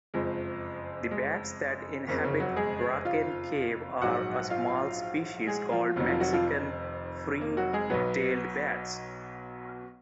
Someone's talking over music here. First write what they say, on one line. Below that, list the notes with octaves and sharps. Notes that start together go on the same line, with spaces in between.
The bats that inhabit Bracken Cave are a small species called Mexican free-tailed bats.
F#1 F2 F3 G#3
G#3
F#1 F2 C#3 A#3
C#3 C#4
F#3 F#4
G#3 G#4
F4 F5
A#1 G#2 F#3 F#4 F#5
F4 F5
G#3 G#4
F3 F4
F1 F2 D#3 F#3
F3 F4
F#3 F#4
F3 F4
A#3
F#3 F#4
G#3 G#4
B1 B2 F#3 B3 B4